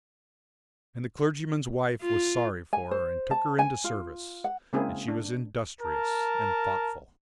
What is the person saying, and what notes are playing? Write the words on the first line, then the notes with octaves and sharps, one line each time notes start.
And the clergyman's wife was sorry for her and took her into service; and she was industrious and thoughtful.
F4
G#5
C5
A5
G#5
F4
F#5
C#3 G#3 A#3 C4 E4 G#4
D4
A#4 A5